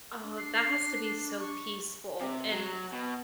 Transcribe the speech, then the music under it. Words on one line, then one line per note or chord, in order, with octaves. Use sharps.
Oh, that has to be so peaceful and
D4
C7
C#6
C3
F#3
B2